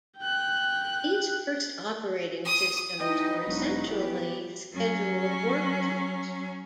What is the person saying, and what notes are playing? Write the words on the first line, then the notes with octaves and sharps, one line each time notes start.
These first operating systems were essentially scheduled work queues.
G5 F#6
D#6
E3 D#4 F#4 B4 D#5 G5
E1 F#3
E3 B3 G4 B4
F#3 C#4